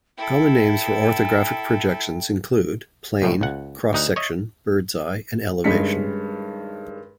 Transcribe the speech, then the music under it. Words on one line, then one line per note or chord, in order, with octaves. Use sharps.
Common names for orthographic projections include plane, cross-section, bird's-eye, and elevation.
E4 A4 G5
C2 F#2 A2
C#2 F#5
D2 D#4 F#5
C#5 D#5 E5
G2 D#3 G#3 C#4 B6 C#7